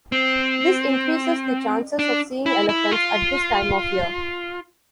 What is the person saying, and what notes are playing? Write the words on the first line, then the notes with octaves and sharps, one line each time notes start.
This increases the chances of seeing elephants at this time of year.
C4
D4
E4
E4
F4